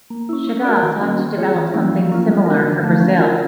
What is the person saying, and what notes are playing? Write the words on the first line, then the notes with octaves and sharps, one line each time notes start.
Chagas sought to develop something similar for Brazil.
A#3
C#4 E4
C#4
F#4 A#4 D5
D#3
G3 A#3 C#4 F#4
C4
F4 G#4 C#5
E3
G3 A#3 C#4 E4
F3
A#3 C#4 F4
G3
B3 D4 F#4 A#4
D3
F3 A3
C#4
F4 A#4